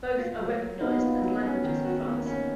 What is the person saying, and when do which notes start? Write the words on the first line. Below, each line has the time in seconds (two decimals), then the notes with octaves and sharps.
Both are recognized as languages of France.
0.18 F4
0.39 F#3
0.60 A#4
0.81 A#3 B3 D#4
1.02 F4
1.22 F#3
1.43 C#4
1.64 D#3
1.85 F#4
2.06 A#3
2.26 C#4